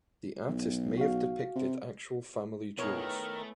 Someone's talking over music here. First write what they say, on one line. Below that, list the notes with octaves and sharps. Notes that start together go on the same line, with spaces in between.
The artist may have depicted actual family jewels.
B1
F#4 F5
C3
B2 D#3 B3 E4 G#4 A#4 C#5
A3 B3